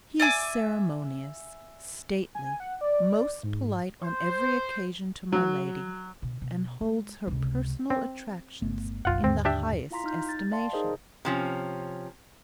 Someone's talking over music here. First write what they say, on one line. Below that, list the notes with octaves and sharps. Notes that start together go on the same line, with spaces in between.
He is ceremonious, stately, most polite on every occasion to my Lady, and holds her personal attractions in the highest estimation.
D5 E5 G#5 D6
G#5
F#5
D5
G#2
C5
F#3
B2 D3
B2
G#3
C#2 C3
C4
G1 A3 B3
F#1 B1 F#2 F4 F#5
D#2 G#2 D3 C4
D4 G4 E5
E4 F4 F5 A#5 C6 B6
D#4 F6 G6
A6
D5 F5 G5 A5 C6
D#4 G#4 A#4 C5 D#5
C3 F3 C#4